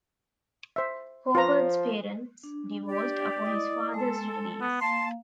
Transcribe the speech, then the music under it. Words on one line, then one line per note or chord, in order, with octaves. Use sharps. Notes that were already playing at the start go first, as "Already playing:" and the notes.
Howard's parents divorced upon his father's release.
C5 E5
F3 F4 B4 A#5
D4
G4 D5
E4 D#5 D#6
G#3 A4 C6
B3
A#3 F5 A5 C6